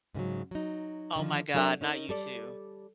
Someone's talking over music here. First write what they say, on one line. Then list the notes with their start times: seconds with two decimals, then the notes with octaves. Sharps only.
Oh, my God, not you, too.
0.14 G#2 C#3 E3 F#3
0.51 F#3 D#4
1.16 D3 D#3 F3
1.54 F#3 D4 A4 A#4 E5
1.81 C#4 D#4 A#4
2.09 G3 A4 D5